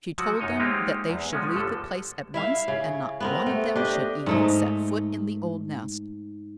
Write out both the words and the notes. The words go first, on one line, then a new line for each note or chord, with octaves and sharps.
She told them that they should leave the place at once, and not one of them should even set foot in the old nest.
F3 F#3 F#4
F#2 D#4 C#5 D#5
G#3 A#3 C4 D#4 F4 G4
E2
F3 G#3 C#4
G1 D3 A4
E4 E5 F5
C#3
B3 C4 A#4
A3
D4 G4 D#5
G#2 A3 D#4